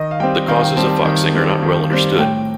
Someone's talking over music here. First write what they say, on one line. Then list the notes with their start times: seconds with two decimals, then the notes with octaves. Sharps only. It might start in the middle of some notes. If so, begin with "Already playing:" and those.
The causes of foxing are not well understood.
Already playing: D#3 D#5
0.11 F5
0.20 G3 C4 G5
0.48 D#3 F5
0.62 G5
0.77 G3 C4 A5
0.91 A5
1.05 D#3
1.34 G3 C4
1.62 D#3
1.90 G3 C4
2.18 A2 G5